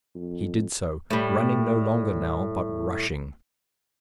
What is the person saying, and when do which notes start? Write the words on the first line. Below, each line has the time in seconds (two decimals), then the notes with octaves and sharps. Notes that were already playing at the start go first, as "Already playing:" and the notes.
He did so, running no longer now, but rushing.
0.15 F2
1.10 A2 G3